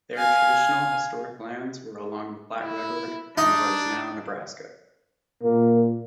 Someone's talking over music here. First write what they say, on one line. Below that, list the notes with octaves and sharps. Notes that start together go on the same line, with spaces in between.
Their traditional historic lands were along the Platte River in what is now Nebraska.
F5 G#5
E4
D4 D#4
A#2 A#3